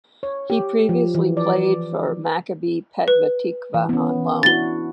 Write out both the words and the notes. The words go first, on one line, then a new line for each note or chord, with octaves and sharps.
He previously played for Maccabi Petah Tikva on loan.
C#5
G4
F3
E3
D5
B4
E3
B3 C#4
D4 E4 F#4 A6 G7